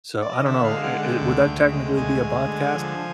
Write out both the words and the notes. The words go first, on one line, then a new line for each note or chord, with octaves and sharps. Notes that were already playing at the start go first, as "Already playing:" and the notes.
So I don't know, it it would that technically be a podcast?
D5
D#5
D3 E5
F5
G#3
F#5
D3
G5
D2
D2
G#3
D2 G#5
G#3
D3
F3